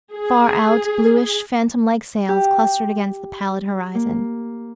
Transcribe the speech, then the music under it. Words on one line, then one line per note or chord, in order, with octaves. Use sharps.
Far out, bluish, phantom-like sails clustered against the pallid horizon.
G#4
G4
A#3